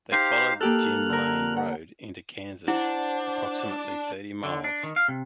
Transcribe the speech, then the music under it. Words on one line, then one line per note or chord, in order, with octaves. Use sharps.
They followed the "Jim Lane Road" into Kansas approximately thirty miles.
D#4 G4 C5 F5
A#3 G4 A4 F6 F#6
D3 A#4
F#5
D4 E4 C5 F#5
D3
D4
D#3
F5
C3